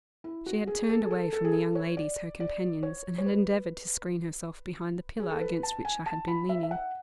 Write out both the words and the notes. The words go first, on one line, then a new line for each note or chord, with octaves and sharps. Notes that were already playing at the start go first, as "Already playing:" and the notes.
She had turned away from the young ladies her companions, and had endeavoured to screen herself behind the pillar against which I had been leaning.
E4
F#4
G#4
A4
G#4
A4
A4
G#4
A4
C#5
D5
D5
C#5
C#5
B4
G#4
A4
B4
A5
G#5
A5
B5
E5
E5
F#5